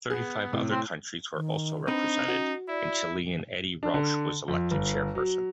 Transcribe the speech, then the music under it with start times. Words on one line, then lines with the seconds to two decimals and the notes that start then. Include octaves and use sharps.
Thirty-five other countries were also represented, and Chilean Edy Rauch was elected Chairperson.
0.10 B3 G#4
0.53 A2 C3
0.71 C4
1.34 D#3
1.88 C4 D4 D#4 B4
2.28 C#4 F#4
2.69 E4 D5
3.83 D4
3.94 D3
4.48 F2
4.71 G1
5.15 F#3